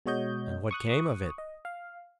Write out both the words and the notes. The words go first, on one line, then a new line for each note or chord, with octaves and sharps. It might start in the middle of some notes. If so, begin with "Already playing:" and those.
"And what came of it?"
B2 G#3 F#4 C#5 D#5 G6
C#6 D#6 F#6
D#5
F5